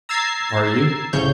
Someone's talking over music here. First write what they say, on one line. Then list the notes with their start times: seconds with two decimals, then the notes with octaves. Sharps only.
"Are you?"
0.09 A#5 E6 G#6 A6 C7
1.13 C2 A2 C#3 C#5 G6